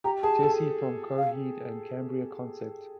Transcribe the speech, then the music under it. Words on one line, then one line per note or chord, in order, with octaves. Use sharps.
"Jesse" from the Coheed and Cambria concept.
G4 A#5
G#4 A5
A4
F5